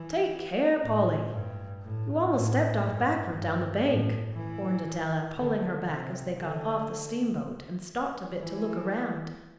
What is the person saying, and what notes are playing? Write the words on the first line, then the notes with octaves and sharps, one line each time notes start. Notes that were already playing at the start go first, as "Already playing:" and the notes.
"Take care, Polly, you almost stepped off backward down the bank," warned Adela, pulling her back, as they got off the steamboat and stopped a bit to look around.
Already playing: E3
A2
G2
A2
A2
G2
G2
A2
E3
D3
C3
D3
E3